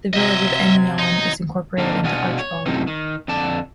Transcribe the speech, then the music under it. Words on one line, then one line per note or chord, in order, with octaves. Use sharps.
The village of Eynon is incorporated into Archbald.
C3 F#3 D#5 E5 G#6
D#4
D3 A#3 C4 D4 D#4
B2 D4 F4 F#4 G#4
C#5
F#2 A2 C3 C4 D#4
D#3
F2 D3 D5 A5